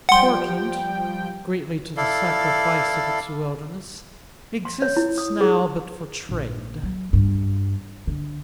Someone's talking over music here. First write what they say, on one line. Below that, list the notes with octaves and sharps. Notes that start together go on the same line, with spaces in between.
Portland, greatly to the sacrifice of its wildness, exists now but for trade.
F3 G3 F#5 G5 C6
E4 A4 D5 F5
C6
C#5
E4
D#6
G#4
A#1
F#3
G2
D3